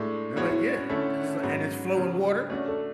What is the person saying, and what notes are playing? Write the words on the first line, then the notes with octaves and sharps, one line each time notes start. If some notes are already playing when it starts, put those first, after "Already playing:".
They're like, "Yeah," this is like "And it's flowing water?"
Already playing: A2 G#3 A3 D4
A2 G#3 B3 E4 F#4 C#5
E4
C#4
D3 A3 C#4 E4 A4 E5
G#2 F#3 B3 F#4
C#3 F#3 B3 F#4
A3 C#4 D4 F#4
A4